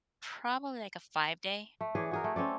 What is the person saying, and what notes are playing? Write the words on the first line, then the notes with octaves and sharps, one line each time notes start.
Probably, like, a five-day.
A3
E3 G#4 C#5 D5
F#4 G#4 A#4
A3
C4 C#4 A4 D5